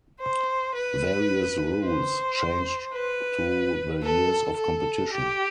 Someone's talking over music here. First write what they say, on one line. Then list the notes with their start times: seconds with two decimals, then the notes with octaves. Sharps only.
Various rules changed through the years of competition.
0.20 C5
0.74 B4
1.84 C5
2.93 B4
4.03 A4
4.57 A4
5.12 G4